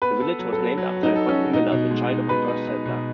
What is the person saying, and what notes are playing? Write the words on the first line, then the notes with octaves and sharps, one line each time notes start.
The village was named after Cosby Miller, the child of a first settler.
B3 B4
A4
F#3
A4
F#3
F#3
F#4
D#4
A4
C#4
F#4
B2 D#4
B2
G#3
D#4
B2 B4
D#4
D#4
B2